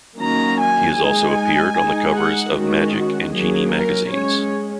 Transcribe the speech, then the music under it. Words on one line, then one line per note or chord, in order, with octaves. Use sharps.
He has also appeared on the covers of "Magic" and "Genii" magazines.
D#3 F#3 A#3 C#4 A#5
G#5
G#3 D#4 G#5
G#3 D#4
F#5
D#3 G#3 C#4 F#4
F#4
F#3 A#3 C#4 G#4
A#4
G#3 C#4 C#5